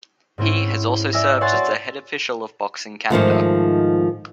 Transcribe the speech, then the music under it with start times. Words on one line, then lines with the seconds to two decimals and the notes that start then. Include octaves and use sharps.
He has also served as the Head Official of Boxing Canada.
0.38 G#2 C4 C#4 E4
1.13 D5 E5 G#5 E6 A#6
1.41 C#5 E5 F#5 G#5 C6 A6
1.53 F#4 D5
3.10 G#2 D#3 F3 A3